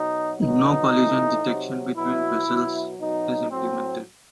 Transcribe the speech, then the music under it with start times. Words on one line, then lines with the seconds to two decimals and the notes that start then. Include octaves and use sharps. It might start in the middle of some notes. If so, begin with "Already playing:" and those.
No collision detection between vessels is implemented.
Already playing: B2 F#3 D#4
0.39 B2 F#3 D#4
0.91 A2 E3
1.43 C3 F#3
1.95 B2 F#3 E4
2.47 B2 F#3
2.99 B2 F#3 D#4
3.51 A2 F#3 C4